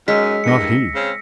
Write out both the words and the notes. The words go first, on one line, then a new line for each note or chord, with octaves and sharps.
Not he!
F#2 G#3 C#4 D#4 E6 B6
G2 D#3 E3 A#6 C#7
C#3 C4 C#4